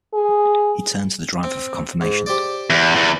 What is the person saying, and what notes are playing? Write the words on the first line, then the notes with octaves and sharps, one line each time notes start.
He turned to the driver for confirmation.
G#4
C4
G#2
G4 C5 D5
E2
E2